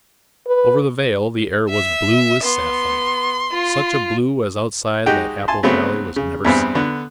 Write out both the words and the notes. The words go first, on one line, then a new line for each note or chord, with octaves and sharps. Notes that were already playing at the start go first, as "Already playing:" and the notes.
Over the vale the air was blue as sapphire--such a blue as outside that apple-valley was never seen.
B4
E5
B3 C6
F4
G#3 D#4 F#4 G4 G5
G#5 A5 C6
C#3 F#3 A3 B3 C4
C#3
E2 G2 B3 C4
D3 B3